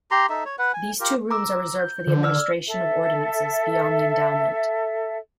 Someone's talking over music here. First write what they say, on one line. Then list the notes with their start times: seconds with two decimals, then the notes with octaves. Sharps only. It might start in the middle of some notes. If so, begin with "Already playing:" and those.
These two rooms are reserved for the administration of ordinances beyond the Endowment.
0.11 G4 A#5 C6
0.30 D#4 A4 E5
0.45 C#5
0.59 B4 F#5
0.74 G#5
1.00 F4 G4 A#4
1.31 A#5 D6 E6
1.79 G6
2.07 D3
2.23 D5 E6 F6
2.68 A4 E5